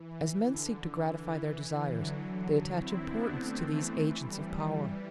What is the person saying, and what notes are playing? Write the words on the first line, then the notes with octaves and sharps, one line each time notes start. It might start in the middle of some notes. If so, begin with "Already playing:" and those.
As men seek to gratify their desires, they attach importance to these agents of power.
Already playing: E3
D3
D3
E3
E3
D3 F#3
C4 E4
B3 D4
A3 C4
E3
E3
E3 G3
E3 G3